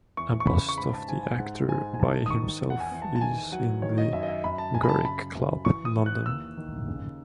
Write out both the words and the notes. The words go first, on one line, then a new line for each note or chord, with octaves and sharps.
A bust of the actor by himself is in the Garrick Club, London.
E2 C#6
C#6
C#3 B5
C#6
G#2 B5
A5
G#2 G#5
G#5
G#2 F#5
G#2 G#5
G#5
D#3 A5
D#6
D#3 C#6
E2
F#5
G#5
E2
A5
A5
D#3 G#5
F#3 F#5
D#3 C#5
D#5
F#2 E5
D#5
E5
F#2 B5
A5
F#2 G#5
B5
A5
C#3 B5
F#2
E3 C#6
D#6
E3
F#6
D#2 E6
D#3
C#3